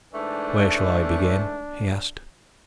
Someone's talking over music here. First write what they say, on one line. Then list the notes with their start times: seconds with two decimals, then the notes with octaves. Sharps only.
"Where shall I begin?" he asked.
0.14 G#2 E3 A3 D4